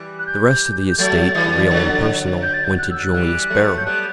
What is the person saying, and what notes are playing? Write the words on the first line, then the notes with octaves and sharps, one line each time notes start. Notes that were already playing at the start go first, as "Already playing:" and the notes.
The rest of the estate, real and personal, went to Julius Beryl.
Already playing: E3 G3
F#6
G6
G6
F#3 A3 A6
E3 G3
D3 F#3
G6
A6
G6
F#6
E6
F#6
E3 G3
F#3 A3
G6
G3 B3 F#6